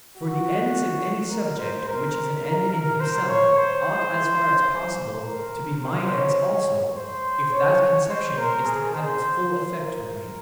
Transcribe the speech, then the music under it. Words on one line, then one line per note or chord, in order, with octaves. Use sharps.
For the ends of any subject which is an end in himself ought as far as possible to be my ends also, if that conception is to have its full effect with me.
F#4
A#4
C5
A#4
A#4
A#4
C5
C#5
C5
A#4
C5
C#5
C5
C#5
C5
A#4
G#4
C5
A#4